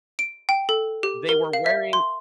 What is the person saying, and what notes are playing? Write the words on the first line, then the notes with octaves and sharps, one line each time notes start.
They were wearing
D7
G5
A4
G4
A#4
F5
E5
C6